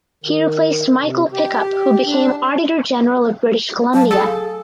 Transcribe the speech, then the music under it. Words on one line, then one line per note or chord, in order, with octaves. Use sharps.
He replaced Michael Pickup who became Auditor General of British Columbia.
D#3
C3
G4
D4
F#3 F5 A5
G#4 A4 A5
F5